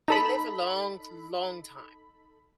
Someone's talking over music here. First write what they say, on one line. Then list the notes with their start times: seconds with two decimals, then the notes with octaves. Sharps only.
They live a long, long time.
0.08 D#4 A4 B5